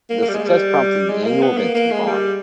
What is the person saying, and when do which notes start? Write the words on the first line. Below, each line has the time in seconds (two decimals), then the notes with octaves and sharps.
The success prompted an annual event to be born.
0.10 A#3
0.22 A#3
0.29 G3
0.34 G#3
0.47 G3
1.09 G#3
1.25 A#3
1.42 B3
1.58 A#3
1.74 A#3
1.91 G#3
2.07 G3